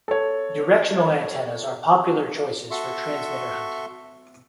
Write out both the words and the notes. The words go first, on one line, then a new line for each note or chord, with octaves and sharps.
Directional antennas are popular choices for transmitter hunting.
A4 C#5
F#4 A4 E5 C6 C#6